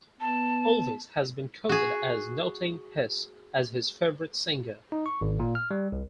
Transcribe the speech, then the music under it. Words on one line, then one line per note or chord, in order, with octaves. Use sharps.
Elvis has been quoted as noting Hess as his favorite singer.
B3 A5
F#4 G#4
D#4
C#6
G#1
A#2
F6
G3
C2